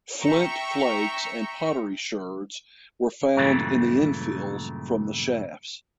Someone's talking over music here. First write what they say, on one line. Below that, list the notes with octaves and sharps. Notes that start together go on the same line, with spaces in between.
Flint flakes and pottery sherds were found in the infills from the shafts.
E5 G5 A#5 C#6
G2 A#2 C#3 E3 F#3 A3